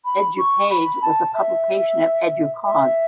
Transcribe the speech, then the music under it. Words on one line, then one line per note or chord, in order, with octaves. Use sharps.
Edupage was a publication of Educause.
B5
C#6
B5
A5
E5
E5